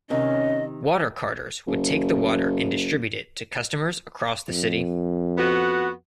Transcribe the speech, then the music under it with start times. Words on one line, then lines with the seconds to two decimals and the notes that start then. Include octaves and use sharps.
Water carters would take the water and distribute it to customers across the city.
0.10 C3 D#3 C#4 D#5
1.67 F#1
4.48 F2
5.38 B3 F#4